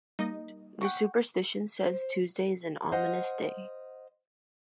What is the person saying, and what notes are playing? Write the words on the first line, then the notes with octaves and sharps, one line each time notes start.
The superstition says Tuesday is an ominous day.
G3 A#3 D#4 D#5
F#5 G5 C#6
C5
C5 D#5 F5 F#5